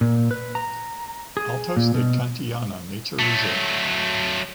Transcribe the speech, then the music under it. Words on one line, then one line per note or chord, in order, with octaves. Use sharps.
Altos de Cantillana Nature Reserve.
A#2
B4
A#5
G#4
A#2
B2
F#3 A3